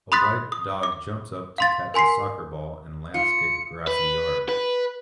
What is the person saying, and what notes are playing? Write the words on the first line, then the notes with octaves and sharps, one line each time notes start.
A white dog jumps up to catch a soccer ball in landscaped grassy yard.
B5 C6 D#6 F#6 A6 B6
D#6
D6
F5 C6 A6
A#4 G#5 C6 B6 C7
F4 C#7
B4
B4